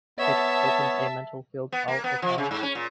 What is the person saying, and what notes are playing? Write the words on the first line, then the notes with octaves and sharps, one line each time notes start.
It opens a mental field all its own.
B3 C#5 E5 A5
B3
A#3
B3
F3
C#3
G#2
C#4
A#2